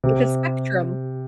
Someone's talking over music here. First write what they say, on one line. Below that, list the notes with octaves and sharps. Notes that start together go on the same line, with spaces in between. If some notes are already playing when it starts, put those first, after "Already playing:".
It's a spectrum.
C3